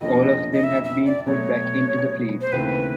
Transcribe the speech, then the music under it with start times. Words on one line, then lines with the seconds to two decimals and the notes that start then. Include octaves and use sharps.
All of them have been put back into the fleet.
0.01 F2 D3 F3 A#3 C#4 D#5
0.53 D#5
0.64 E5
0.84 E5
1.06 D5
1.26 B2 F#3 A3 C#5
2.41 C5
2.52 D#2 C#3 E3 A3 C4 B4